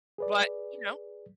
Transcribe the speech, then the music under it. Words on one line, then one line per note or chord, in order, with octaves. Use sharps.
but, you know,
G#4 B4 D5